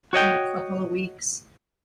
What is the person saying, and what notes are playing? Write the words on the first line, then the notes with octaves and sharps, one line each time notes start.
in a couple of weeks.
F#4 C#5 D#5 G5